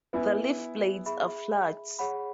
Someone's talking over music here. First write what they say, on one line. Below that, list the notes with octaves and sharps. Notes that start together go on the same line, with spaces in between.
The leaf blades are flat.
B3 E4 B4 E5 G#5
G#4 E5 B5
G#4 C#5 F#5 B5